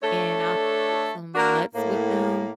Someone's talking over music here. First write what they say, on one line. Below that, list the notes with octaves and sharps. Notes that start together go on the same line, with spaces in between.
and I'll have some nuts with them
A3 D4 A4 C#5
A#3 D4 F#4 A#4
A2 A#3